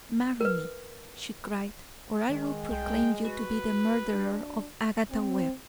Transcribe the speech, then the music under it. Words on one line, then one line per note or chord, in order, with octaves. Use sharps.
"Marry me," she cried, "or I will proclaim you to be the murderer of Agatha Webb."
A#4 B4
D#3 G#3
C2 G5
F#4 B4
D4
C4